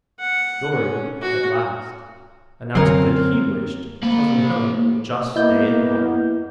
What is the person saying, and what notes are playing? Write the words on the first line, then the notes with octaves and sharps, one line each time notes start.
Dorry, at last, announced that he wished Cousin Helen would just stay at home.
F#5
C#4
F#4
F#2 D3 F#3 C4 C#4 A#4 F5
A#3 B5
A#3 B3 E4 D#5 G6